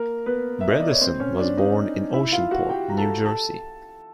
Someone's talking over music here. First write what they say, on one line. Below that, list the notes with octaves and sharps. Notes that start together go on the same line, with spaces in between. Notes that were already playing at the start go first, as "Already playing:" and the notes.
Bredesen was born in Oceanport, New Jersey.
Already playing: A#3 A#4
B3 B4
E5
D#5
D5
C#5
C4 C5
C#4 C#5
D4 D5
D#4 D#5
E4 E5
F4 F5
F#4 F#5
G4 G5
A#5
A4 A5
A4 A5